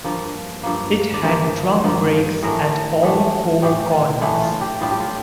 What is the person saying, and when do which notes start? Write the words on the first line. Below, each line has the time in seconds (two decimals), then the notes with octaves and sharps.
It had drum brakes at all four corners.
0.04 G2 F3 A#3
0.63 G2 F3 A#3
1.14 D5
1.23 G2 F3 A#3 C5
1.84 G2 F3 A#3
2.43 A2 E3 A3 D4 A#4
3.03 A2 E3 A3 D4
3.62 A2 E3 A3 D4 G4
3.91 F4
4.21 A2 E3 A3 D4 E4
4.42 F4
4.61 G4
4.81 A2 G3 D4 F4
4.91 G4
5.00 F4